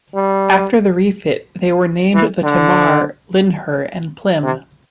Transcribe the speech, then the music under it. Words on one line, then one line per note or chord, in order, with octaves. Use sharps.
After the refit, they were named the "Tamar", "Lynher" and "Plym".
G3
E3
D3
C3